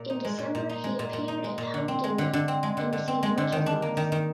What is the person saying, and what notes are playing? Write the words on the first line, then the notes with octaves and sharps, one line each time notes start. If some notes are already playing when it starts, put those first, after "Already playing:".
In December he appeared at Huntingdon and received much applause.
Already playing: A#2
D#4
G#3
A#2
A#2
D#4
G#3
A#2
A#2
D#4
G#3
A#2
D3
C4
G#3
D3
D3
C4
G#3
D3
D3
C4
G#3
D3
D#3
D4
A#3
D#3
D#3